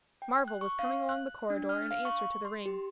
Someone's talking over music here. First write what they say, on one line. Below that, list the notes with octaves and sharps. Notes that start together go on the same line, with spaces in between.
Marvel was coming along the corridor in answer to the ring.
G5
F#6
C#6
F5
F#6
D4
F6
F5
C#6
C6
G4